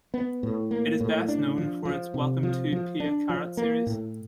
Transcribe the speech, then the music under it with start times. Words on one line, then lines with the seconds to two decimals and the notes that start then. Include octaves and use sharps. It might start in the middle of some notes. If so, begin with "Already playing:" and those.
It is best known for its "Welcome to Pia Carrot" series.
0.14 B3
0.43 A2
0.71 A#3
1.00 A2
1.28 D4
1.58 F3
1.85 F3
2.14 C3
2.43 F3
2.72 F3
3.00 D4
3.29 F3
3.57 A#3
3.87 A2